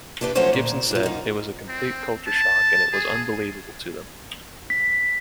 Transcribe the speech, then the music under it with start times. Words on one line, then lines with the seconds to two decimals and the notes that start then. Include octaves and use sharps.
Gibson said, It was a complete culture shock and it was unbelievable to them.
0.21 D4 E4 G4 B4
0.35 F3 F#3 A3 C#4 C5 C#5
0.53 A#2
0.91 D4 F4
1.03 F#2 D#4
1.69 C4
2.27 A5
2.93 G#4
4.70 B6